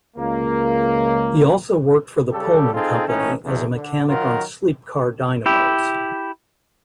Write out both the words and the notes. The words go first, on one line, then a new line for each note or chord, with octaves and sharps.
He also worked for the Pullman Company as a mechanic on sleep car dynamos.
C#2 A#3
C#3 G3 G4 A4
C4 D#4 F4 G#4 A4
A2 E3 A3 C#4 D#4
B1 E2
D3
D#3 F#3 F4 F#4 A#4
E4 G4